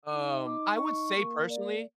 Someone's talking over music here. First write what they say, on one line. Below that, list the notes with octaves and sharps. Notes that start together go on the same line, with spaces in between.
Um, I would say, personally
D#4
D6
C#6
A#3
D5